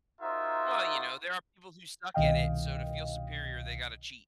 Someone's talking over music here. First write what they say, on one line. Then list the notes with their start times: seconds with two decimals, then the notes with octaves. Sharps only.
Well, you know, there are people who suck at it, so to feel superior, they gotta cheat.
0.21 D#4 F4 F#4 A#4 C5 E5
2.14 C2 B2 D#3 D#5 F5 G5